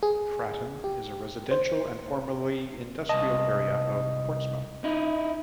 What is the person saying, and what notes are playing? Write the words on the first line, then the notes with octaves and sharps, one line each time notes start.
Fratton is a residential and formerly industrial area of Portsmouth.
G#4
G4
C5
C2 F#2 D#5 A5
D#4 E4